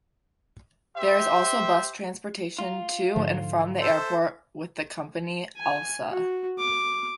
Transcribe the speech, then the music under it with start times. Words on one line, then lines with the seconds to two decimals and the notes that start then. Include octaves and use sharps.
There is also bus transportation to and from the airport with the company Alsa.
0.96 G4 C5 E5
2.59 F4
3.16 G#2 D3 F3
3.80 A4 C5 E5
5.57 G#5
6.11 F#4
6.58 D6